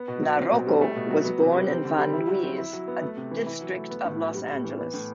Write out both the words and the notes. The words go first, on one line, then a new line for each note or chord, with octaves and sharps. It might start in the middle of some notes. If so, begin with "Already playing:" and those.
LaRocco was born in Van Nuys, a district of Los Angeles.
Already playing: B3
B2
F#3
C4
B2
G3
A3
B2
F#3
B3
C3
G3
C4
D3
G3
E4
F#3
C4
E4
F#3
B3
A3
C3
E3
E4
F#3
A3
B3
A2
F#3
G3
A2
E3
B3
A2